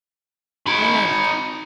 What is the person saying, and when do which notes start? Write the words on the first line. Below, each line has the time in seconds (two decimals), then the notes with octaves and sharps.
I know it.
0.66 D#4 B5